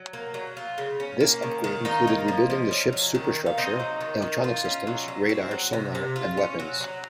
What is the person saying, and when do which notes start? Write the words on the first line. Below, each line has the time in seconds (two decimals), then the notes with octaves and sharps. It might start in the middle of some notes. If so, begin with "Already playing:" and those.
This upgrade included rebuilding the ship's superstructure, electronic systems, radar, sonar, and weapons.
Already playing: F#3
0.13 A#3
0.34 F#3
0.57 F4
0.78 C#3
1.00 C#4
1.20 A#3
1.42 D#3
1.64 D#3
1.85 D#4 F4 D#5
2.07 A#3
2.28 F3
2.50 F3
2.71 C#4
2.93 F#3
3.15 D#3
3.36 D#3
3.46 F5
3.57 C4 D#4 D#5
3.80 F#3
4.01 D#3
4.22 D#3
4.44 F4
4.65 C#4
4.87 F#3
5.08 F#3
5.29 C4
5.51 F#3
5.73 C3
5.95 C3
6.16 F4
6.37 C#4
6.59 F#3
6.80 F#3